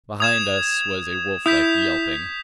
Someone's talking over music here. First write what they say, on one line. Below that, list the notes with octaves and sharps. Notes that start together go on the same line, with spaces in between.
Behind us was a wolflike yelping.
D#6 G#6 E7
E4 D#6 G6 B6